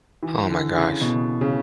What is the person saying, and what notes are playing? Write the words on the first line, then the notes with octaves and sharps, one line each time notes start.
Oh my gosh.
E3
D3
C#3
B2
C#3